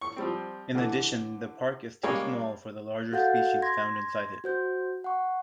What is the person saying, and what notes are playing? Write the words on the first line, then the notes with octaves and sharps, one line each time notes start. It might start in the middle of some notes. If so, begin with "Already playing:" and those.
In addition, the park is too small for the larger species found inside it.
C#6
F3 G3 C4
D3 E3
G3 G#3 A#3 C#4 G#4 C#5
F#4 A4 F5 F#5 G6 A6
C6 G#6 A#6
F#4 C5 G6
F#5 C#6